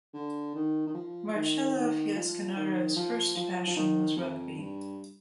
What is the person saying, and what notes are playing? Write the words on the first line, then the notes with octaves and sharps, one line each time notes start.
Marcello Fiasconaro's first passion was rugby.
D3
D#3
D#3
F3
D#3
D#3
F3
D#3
F3
F3
F3
D#3
F2
G2